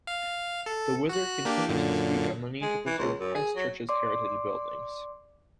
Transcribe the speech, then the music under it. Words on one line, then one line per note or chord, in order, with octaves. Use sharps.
The Wizard continues to speak on the need to preserve Christchurch's heritage buildings.
F5
A4
F#4 F#6
A#3 D4 G4
F#2 A#2 D3
G#3
E3
C#2
F#2
G#4
F#3
D5 C6 D6